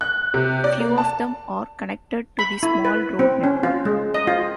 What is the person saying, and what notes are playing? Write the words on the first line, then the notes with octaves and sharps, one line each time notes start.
Few of them are connected to the small road network.
F#6
C3
D5
A#3
A5
B5
E4
B4
C4
C#4
F4
G#3
D#5
F4